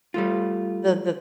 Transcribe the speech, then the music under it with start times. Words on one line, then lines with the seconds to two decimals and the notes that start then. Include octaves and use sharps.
the the
0.14 G3 A3 F4